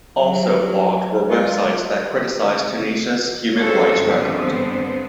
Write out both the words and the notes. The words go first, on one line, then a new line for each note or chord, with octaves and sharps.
Also blocked were Web sites that criticize Tunisia's human rights record.
F#3
G#3 F4
C3
C#4 F#4 G#4 A4 C5 C#5
G2 D3 G#3 B3 C4 C5